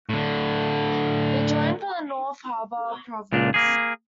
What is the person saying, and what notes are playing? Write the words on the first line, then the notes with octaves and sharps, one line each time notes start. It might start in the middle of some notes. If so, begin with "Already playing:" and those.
He joined from the North Harbour province.
A2 D3
C#2 A#2 D4
A#3 G#4